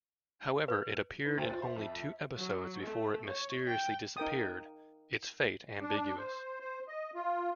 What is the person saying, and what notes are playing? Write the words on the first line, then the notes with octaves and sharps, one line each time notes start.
However, it appeared in only two episodes before it mysteriously disappeared, its fate ambiguous.
B4
D#4 B4
D2 C5 G5 G#5
F4 C5 A6
C5 E5
F2
F#3
A3
C#5
G5
D#4 A#4 G5 D#6
D4
C5
C5
D#5
F4